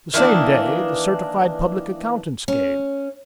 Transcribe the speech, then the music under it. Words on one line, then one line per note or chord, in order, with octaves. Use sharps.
The same day the certified public accountants came.
D#3 E3 A#3 D4
C#4